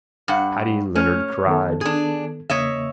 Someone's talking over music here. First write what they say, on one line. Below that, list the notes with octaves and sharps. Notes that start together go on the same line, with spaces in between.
Paddy Leonard cried.
G2 F#5
A3 C#4 F6
D#3 B3 A4
D4 G#4
E2 C#3 A#3 C#5 D#5 E5